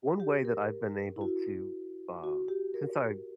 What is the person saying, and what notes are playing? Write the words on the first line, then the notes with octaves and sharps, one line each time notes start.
one way that I've been able to, um, since I
G4
A#4
E4
F#4
F#4
G4
A#4